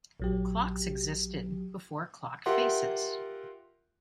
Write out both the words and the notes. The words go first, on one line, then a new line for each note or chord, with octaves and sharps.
Clocks existed before clock faces.
A#1 F#3 G4
F4 G4 A#4 E5 F#5 C6